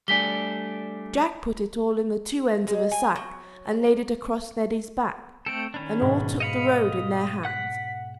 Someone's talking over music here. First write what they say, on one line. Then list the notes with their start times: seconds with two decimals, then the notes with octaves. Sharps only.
Jack put it all in the two ends of a sack and laid it across Neddy's back, and all took the road in their hands.
0.08 G3 A3 D4 G#5 B6 G7
2.68 G#3
2.91 G#5
3.16 F#3
5.46 A3 C4 A4 D7
5.74 D#3 C#4 D4 B5
6.01 G#2 B2
6.40 D#5 F5 B5 C#7
6.69 D#6
7.45 F#5 F#6 B6